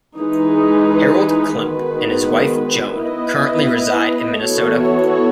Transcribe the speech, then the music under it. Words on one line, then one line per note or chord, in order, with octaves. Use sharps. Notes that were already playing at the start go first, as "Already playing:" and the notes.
Harold Klemp and his wife, Joan, currently reside in Minnesota.
E3 G#3 D#4 G#4 B4
D#3 G#3 B3 F#4 B4
B3 E4 B4 D#5
E3 B3 F#4 A4 C#5